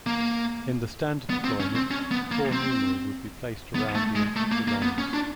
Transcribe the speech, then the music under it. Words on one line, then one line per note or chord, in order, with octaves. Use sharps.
In the standard deployment, four Numeri would be placed around the infantry lines.
A#3
B3
C4
C#4
C4
C#4
B3
A#3
C4
B3
A3
G#3
A3
A#3
A#3
B3
C#4
D4